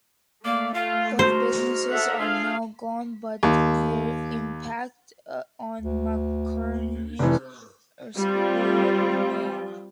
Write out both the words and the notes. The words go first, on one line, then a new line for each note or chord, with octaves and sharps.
Both businesses are now gone, but their impact on Macquariums will remain.
A3 A#3 D5 F5
F4 F5
G#2 F#4 A#4 C5 A#5
A4 E5 F#5
D4 F4 G#4 F5
D#2
D2
F1 E3
G3 C4 F4